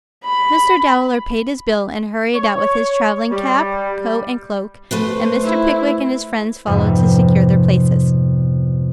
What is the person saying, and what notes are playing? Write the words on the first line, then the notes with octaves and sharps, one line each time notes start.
Mr. Dowler paid his bill, and hurried out with his travelling cap, coat, and cloak; and Mr. Pickwick and his friends followed to secure their places.
B5
C#5
G3
A3 B4 C5
E4
F2 G#2 C3 B3